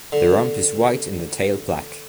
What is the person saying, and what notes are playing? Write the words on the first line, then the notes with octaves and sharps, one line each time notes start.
The rump is white and the tail black.
D3